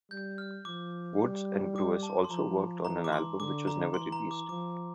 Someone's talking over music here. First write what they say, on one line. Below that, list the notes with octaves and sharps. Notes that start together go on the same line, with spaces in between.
Woods and Brewis also worked on an album which was never released.
G3 G6
F6
F3 D6
G3
D6
A5
C6
F3 A#5
E3 A#5
D6
C6
D3 D6
A#5
E3 C6
A#5
D6
F3 D6